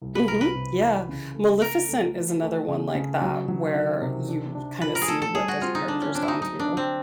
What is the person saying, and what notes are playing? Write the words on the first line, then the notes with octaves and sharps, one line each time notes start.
Mhm. Yeah. Maleficent is another one like that where you kinda see what this character has gone through.
C2
B4
C2 A#4
B4
C3
E3
C#3
A3
A3 A#4
A3
E3
A3
C#3
C#3
F#3
F#3
D#3
C3
D4
D4
F3 B4
A#4
G#4
A3 A4
A4
G3 G#4
F#4
C4 F4
D#4
D3 D4
C#4
C4 D4
E4
D#4
F#3 D#4
D4
D3
C4